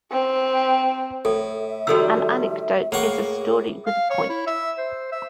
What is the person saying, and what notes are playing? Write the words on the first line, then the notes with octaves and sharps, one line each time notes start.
An anecdote is a story with a point.
C4
A2 A4 E5
D#3 F3 G3 F#4 A4 E6
A2 A#3 G#4 F#5 C#6
F5
C#5
E4
E5
C5
E5